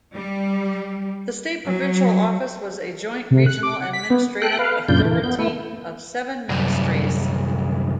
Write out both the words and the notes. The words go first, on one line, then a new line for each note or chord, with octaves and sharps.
The State Provincial Office was a joint regional administrative authority of seven ministries.
G3
F#3
C3
F#6
D6
F#5
B6
B3
A4 G5 F#6
B4 F5
F#2 A#2 C#3 D4 F4 G6
E3
B3 G6
A3 E4
C2 F#2